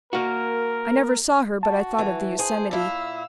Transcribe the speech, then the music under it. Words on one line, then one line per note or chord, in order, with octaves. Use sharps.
I never saw her but I thought of the Yosemite.
A#3 F#4 A#4
F#4 A5
E3
G#4 C5
A#2 E4 F5 E6